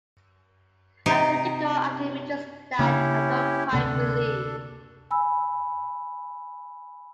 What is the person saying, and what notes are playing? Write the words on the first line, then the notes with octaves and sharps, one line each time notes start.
I seem to go after images that I don't quite believe.
C3 D#4 G4
C#3 A#3 C#4 D4 E4 G4
D2 C3 A#3 D4 A4
G#5 B5 E6